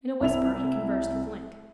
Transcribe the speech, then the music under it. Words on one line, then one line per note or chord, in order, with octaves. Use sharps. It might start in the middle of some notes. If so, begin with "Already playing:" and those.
In a whisper he conversed with Link.
C2 E4 F7